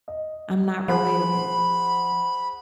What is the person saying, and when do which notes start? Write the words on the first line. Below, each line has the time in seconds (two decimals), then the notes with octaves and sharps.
I'm not relatable.
0.08 D#5
0.88 F3 G#4 C5 F#5 B5